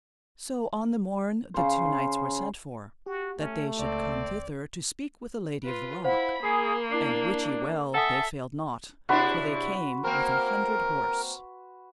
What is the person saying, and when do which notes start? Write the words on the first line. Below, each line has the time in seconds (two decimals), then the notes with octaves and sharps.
So on the morn the two knights were sent for, that they should come thither to speak with the Lady of the Rock, and wit ye well they failed not, for they came with an hundred horse.
1.54 C#3 C5
3.06 F#4 G4
3.39 A3 C#4
3.79 C#2 C4 D5
5.64 F4 B4
6.05 E4 C5 F5 F#5 B5
6.43 A#3 G#4 B5 C7
6.91 D4 E4 C7
7.95 A4 E5 F#5 G#5 D#6
9.09 C3 D4 E4 F#4 B4 C6
10.04 A#3 C4 A#4